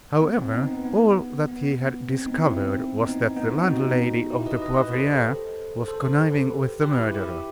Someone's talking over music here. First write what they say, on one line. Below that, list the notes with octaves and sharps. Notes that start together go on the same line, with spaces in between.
However, all that he had discovered was that the landlady of the Poivriere was conniving with the murderer.
B3
C4
B3 D#4
B3
B3
B3
C4
B3 D#4
C4 E4
B3 D#4
B3 D#4
B3
C4
D#4 F#4
E4 G4
B4 D#5
B4 D#5
G4 B4
A4 C5
A4 C5
G4 B4
G4 B4
E4 G4
E4 G4